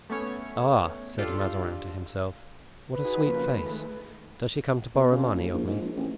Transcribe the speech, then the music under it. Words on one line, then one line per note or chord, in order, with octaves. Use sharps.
"Ah!" said Mazarin to himself, "what a sweet face; does she come to borrow money of me?"
A3 B3 C#4 C#5
D4 F4 G4 A4
B4
D#4 F#4 G#4
C#3 F3 A#3
D#3 G#3 A3
B2
C#3
F#1
A#1
G#2
A#1
A1